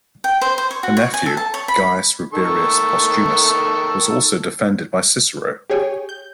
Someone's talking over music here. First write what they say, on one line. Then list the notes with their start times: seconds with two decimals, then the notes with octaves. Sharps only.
A nephew, Gaius Rabirius Postumus was also defended by Cicero.
0.24 G5
0.41 C5
0.58 C5
0.71 C#5
0.83 F#4
0.97 C#5
1.14 G#5
1.26 A4
1.37 A5
1.54 C#5
1.68 B5
2.33 D#3 A4 C#6
5.70 G4 G#4 C#5 G5 G#5
6.09 G6